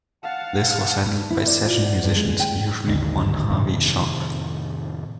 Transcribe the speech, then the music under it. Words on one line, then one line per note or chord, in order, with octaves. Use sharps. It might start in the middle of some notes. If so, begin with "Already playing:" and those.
This was handled by session musicians, usually one Harvey Sharpe.
F5 F#5 A5
E4
D5
F4
F#4
G2
G#3
G5
A1 D#2 D3 D#3
F2 A2 C3 D#3